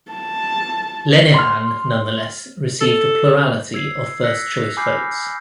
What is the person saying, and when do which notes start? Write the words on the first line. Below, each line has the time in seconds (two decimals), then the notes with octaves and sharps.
Lenihan nonetheless received a plurality of first-choice votes.
0.11 A5
1.34 C6 F6
2.81 A4
3.74 E6 G#6 C7
4.24 E6 F#6 G#6 A#6 B6 C#7
4.77 G#5 B5 D6 F6 G6 C7